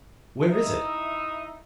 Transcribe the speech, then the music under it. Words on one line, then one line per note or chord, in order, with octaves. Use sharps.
"Where is it?"
D#4 E4 D#5 E5